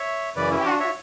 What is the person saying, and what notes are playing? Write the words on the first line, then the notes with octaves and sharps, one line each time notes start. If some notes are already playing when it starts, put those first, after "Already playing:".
Yeah, 'cause
Already playing: C#5 E5
F#2 C#3 E3 B4 D5
C#4 E4
D4 F#4
C#5 E5